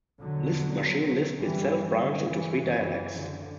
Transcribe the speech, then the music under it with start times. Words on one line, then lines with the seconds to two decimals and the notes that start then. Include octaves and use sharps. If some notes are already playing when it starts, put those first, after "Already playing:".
Lisp Machine Lisp itself branched into three dialects.
0.22 E2 B2 D3 F#3
1.39 G2 E3 G3
1.98 D3 F#3
2.28 C#3 E3
2.58 F#2 C#3
3.17 D3